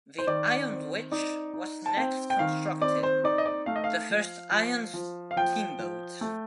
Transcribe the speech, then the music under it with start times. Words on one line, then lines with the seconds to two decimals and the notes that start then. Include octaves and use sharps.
The Iron Witch was next constructed, the first iron steamboat.
0.18 C5
0.27 D#3 D5
0.70 C4
1.12 D#4 D5
1.54 D#4
1.86 A5
1.97 C4 G5
2.30 G5
2.39 D#3 F5
2.81 C4 D5
3.03 C5
3.24 D#4 D5
3.38 D#5
3.46 D5
3.66 A3 F5
3.76 D#5
3.84 F5
4.10 F3
4.52 F3
4.94 F3
5.31 F5
5.36 F3 G5
5.79 F3
6.21 A3